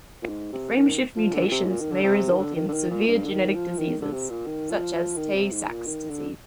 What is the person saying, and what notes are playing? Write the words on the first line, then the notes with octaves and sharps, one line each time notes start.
Frameshift mutations may result in severe genetic diseases such as Tay-Sachs disease.
A#2
G#2
C3
D#3
F3
D3
A#2
C3
G#2
A#2
D#3
D3
C3
D#3
D3
D#3
D3
D#3
A#2
G2
D3
D#3
F3
D#3
D3
C3
A#2
D#3
F3
F3
D#3
C3
G#2
A#2
D#3
D3